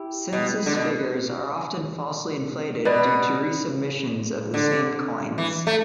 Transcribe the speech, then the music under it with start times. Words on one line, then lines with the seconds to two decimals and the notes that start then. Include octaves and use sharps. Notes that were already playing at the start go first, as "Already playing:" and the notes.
Census figures are often falsely inflated due to resubmissions of the same coins.
Already playing: E4 G4
0.33 B2
0.66 D3
0.75 B2
2.85 B2 B4 D5 B5
4.54 D3
5.38 E3
5.67 A3